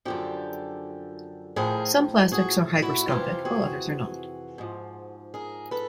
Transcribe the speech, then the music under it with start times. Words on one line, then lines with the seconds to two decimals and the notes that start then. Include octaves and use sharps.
Some plastics are hygroscopic while others are not.
0.05 F#2 D3 F3 G4 A4
1.56 A2 F3 G#4 A#4
2.32 F#4 G#4
2.82 E4 F#4
3.07 F2 C3 E3 F4 G4
3.45 F#4 G#4
4.58 G#2 F3
5.34 G#4 A#4
5.71 A4 B4